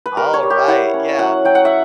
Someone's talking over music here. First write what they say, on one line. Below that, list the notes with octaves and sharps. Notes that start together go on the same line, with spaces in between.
All right, yeah.
B4
G3 A#4
C#5
G3
G4
E4 F#5
C#4
F#3 F#5
F#3 G5
F#5
E5